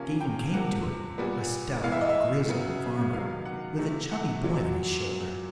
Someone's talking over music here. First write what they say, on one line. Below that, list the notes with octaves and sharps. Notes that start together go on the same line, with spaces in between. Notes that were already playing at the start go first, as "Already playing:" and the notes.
Stephen came to it, a stout grizzled farmer, with a chubby boy on his shoulder.
Already playing: C3 F3 A#3 C#4 F5
G5
C3 F3 A#3 F#5
A#2 G3 B3
E3 G#3 B3 F5
E5
D#5
E5
C#3 F#3 B3
C3 D#3 F#3 B3 F5
F#5
C3 E3 A3
F#5
A#2 F#3